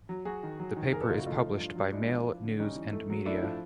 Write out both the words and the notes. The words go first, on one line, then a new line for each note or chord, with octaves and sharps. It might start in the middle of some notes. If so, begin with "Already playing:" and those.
The paper is published by Mail News and Media.
F#3
F#3 F#4 G#4
D#3
F#3
D#3
F#1 G#4 A#4
A4 B4
C#3 D#4 F4
E4 F#4
A3 D#4 F4
F3
G2
F#3
G#3 D4 E4
F3
F3
D3
G3 C#4 D#4
E3
A3
F#3
A3 D4 E4
F3